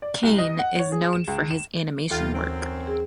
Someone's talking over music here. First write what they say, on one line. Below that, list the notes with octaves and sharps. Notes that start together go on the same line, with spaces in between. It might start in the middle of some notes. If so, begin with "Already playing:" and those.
Kane is known for his animation work.
D5
C2
D#5
F#5
C#5
G#4
E7
C#2
E7
D#2 C3 E3 G3 F4 A4
F#2 C4
G#4